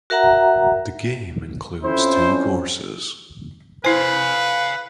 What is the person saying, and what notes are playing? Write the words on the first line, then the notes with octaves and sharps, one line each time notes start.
The game includes two courses.
F#4 A#4 E5 F#5 A#5
F2 C#4 E4 C5
E4 B4 C5 F5 G#5